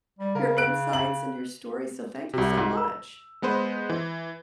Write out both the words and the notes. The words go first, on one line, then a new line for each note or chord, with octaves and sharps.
your insights and your story, so thank you so much.
G3
C#3 A#4
F#6 D7
F#7
C2 C3
G#2
E6
G#3 B3 B4 C5
E3